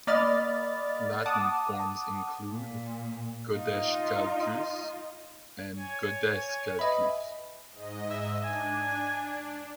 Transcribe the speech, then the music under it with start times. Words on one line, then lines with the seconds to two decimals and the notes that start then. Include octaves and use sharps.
Latin forms include "Godeschalcus" and "Godescalcus".
0.07 A#3 D5 D#5 B5 F6 A6
1.26 F#5 A5 D6 D#6
2.50 A#2
3.52 D#4 F4
5.77 C#5 G#5
6.79 B4 D#5 E5 B5
7.72 G#2 D#5
8.10 E5
8.44 D4 G#5